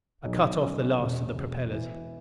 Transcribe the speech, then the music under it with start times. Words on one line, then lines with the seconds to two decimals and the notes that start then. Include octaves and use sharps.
I cut off the last of the propellers.
0.24 B1
0.62 C#4
0.99 E1
1.35 E1
1.73 E3